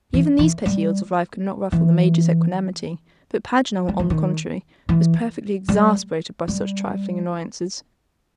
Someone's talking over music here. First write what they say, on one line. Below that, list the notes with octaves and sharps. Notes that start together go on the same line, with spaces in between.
Even these petty ills of life could not ruffle the Major's equanimity; but Paganel, on the contrary, was perfectly exasperated by such trifling annoyances.
E3
E3
G3
E3
G3
E3
D#3
E3
G3
G3